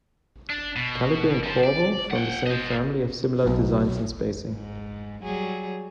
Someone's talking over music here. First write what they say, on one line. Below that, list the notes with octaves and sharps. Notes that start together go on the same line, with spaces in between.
Calibri and Corbel, from the same family, have similar designs and spacing.
D4
B2
F3 A4
D5
F#5 G5
C5 D#5
B1 B2
G#2
F#3 G3 G#4